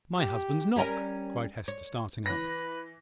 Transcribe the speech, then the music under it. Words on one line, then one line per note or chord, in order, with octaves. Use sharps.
"My husband's knock!" cried Hester, starting up.
G4
G3 C#4 A#4
C#5
E3 B4 A#6